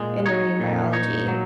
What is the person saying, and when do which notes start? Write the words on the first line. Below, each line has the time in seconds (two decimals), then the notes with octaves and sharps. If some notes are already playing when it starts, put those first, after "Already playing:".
in marine biology,
Already playing: A#2 G#3
0.26 D#4 C#5
0.60 A#2
0.93 D#4 C#5
1.28 F#3